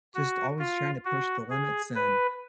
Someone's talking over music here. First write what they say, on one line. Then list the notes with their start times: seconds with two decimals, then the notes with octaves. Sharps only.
just always tryna push the limits and,
0.14 F#4
0.59 F4
1.05 F#4
1.50 G#4
1.95 B4